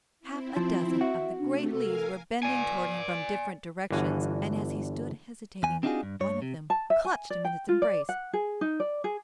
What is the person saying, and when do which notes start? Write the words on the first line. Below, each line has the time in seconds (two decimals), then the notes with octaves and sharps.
Half a dozen of the great leaves were bending toward him from different directions and as he stood hesitating one of them clutched him in its embrace.
0.20 C4 E4
0.57 F3
1.01 F#4 E5
1.39 C3 A3 D4
1.72 A4 A#4 F5 G#5
2.43 D5 G#5
3.90 G1 D3 E3 F#4 F5 G#5
5.63 E2 G#5
5.83 C4 D4 D#4 F4 F#4 G#4
6.03 G2
6.20 G2 C#5
6.42 C3
6.70 A5
6.90 E5
7.05 G#5
7.30 D5
7.45 G5
7.69 F4
7.82 D5
8.09 F#5
8.33 G#4
8.61 D#4
8.80 D5
9.04 G#4